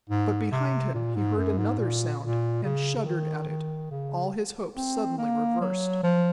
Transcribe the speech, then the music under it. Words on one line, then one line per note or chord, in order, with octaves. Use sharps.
But behind him he heard another sound, and shuddered at it, all his hopes suddenly reversed.
G#2
C3
A#2
G#2
F#2
G#2
A#2
A#2
C#3
C#3
D#3
D#3
C#3
C4
A#3
F#3
F3